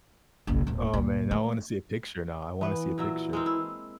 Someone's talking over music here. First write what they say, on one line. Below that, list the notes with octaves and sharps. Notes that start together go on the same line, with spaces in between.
Oh, man. I wanna see a picture now. I wanna see a picture.
F#1 B1
D#1 G#2
D2 A#2
E3 A3
E3 B3 B4
A#2 F#3 E5
G#3 A#3 C4
E4